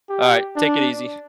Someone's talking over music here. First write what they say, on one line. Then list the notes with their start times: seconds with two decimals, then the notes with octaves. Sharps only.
Alright, take it easy.
0.10 G4
0.56 D4